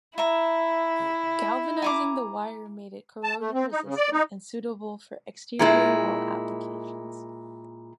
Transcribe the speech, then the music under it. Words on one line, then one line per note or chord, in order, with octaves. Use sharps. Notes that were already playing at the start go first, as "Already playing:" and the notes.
Galvanizing the wire made it corrosion resistant and suitable for exterior wall applications.
E4 E5 A#5
G#5 A#5 D6
A5
A3
C4
D#4
C#3
D5
D#4
A#2 G#3 E4